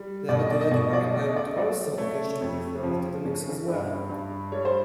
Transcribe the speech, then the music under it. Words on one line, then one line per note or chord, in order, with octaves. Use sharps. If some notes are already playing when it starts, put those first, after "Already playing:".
Rowdy Roddy Piper would also occasionally be thrown into the mix as well.
Already playing: G3
B2 D5
D#5
D5
D#5
B2 D5
D#5
D5
D#5
A3 D5
D#5
D5
D#5
F#3 D5
A3 C#5
F2
F3
C#3
G2
G2
G3 C#5
C5